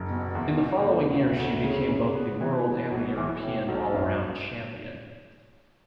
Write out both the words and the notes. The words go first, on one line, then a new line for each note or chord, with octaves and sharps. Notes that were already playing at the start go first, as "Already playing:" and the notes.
In the following year she became both the World and the European All-Around champion.
Already playing: F#1
B2
E2
B2
A3
D2
D2
C#3
C#3
B3
E3
B3
B1
E3
A2
B1
F#2